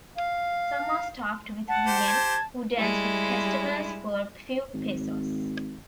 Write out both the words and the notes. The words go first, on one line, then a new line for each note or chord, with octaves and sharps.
Some are staffed with women who dance with customers for a few pesos.
F5
F#5 A5
G4 C5
G#6
G3 G#3 E4
G#1